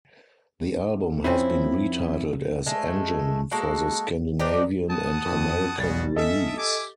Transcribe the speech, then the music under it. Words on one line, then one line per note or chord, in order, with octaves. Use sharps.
The album has been retitled as "Engine" for the Scandinavian and American release.
F2 C4 C#4 E4
G#3 A3
G#3 A#3 F#4 A4
C4 D4 D#4 G4
F#5 A5 D#6
F2
B1 G3 B3 F#4 G#4 A6
C#4 A4 D#5 E5
G4 E5 G#5 D6